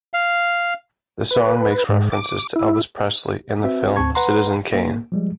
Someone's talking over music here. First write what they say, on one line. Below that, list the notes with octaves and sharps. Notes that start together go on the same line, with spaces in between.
The song makes references to Elvis Presley and the film "Citizen Kane".
F5
B4
G#2
D6
E4
C4 F#4 B4 E5
D2 C4 A5 C#6 G#6
B4 F#5 A#5 C6
A#3
F3 G3 G#3